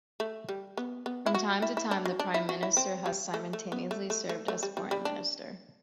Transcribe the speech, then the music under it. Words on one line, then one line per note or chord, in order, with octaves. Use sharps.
From time to time, the Prime Minister has simultaneously served as Foreign Minister.
A3
G3
B3
B3
E4
F#4
E4
E4
D4
F#3
D4
E4
F#4
E4
C4
G3
A3
A3
B3
A3
A3
A3
A3
G3
G3
G3
D4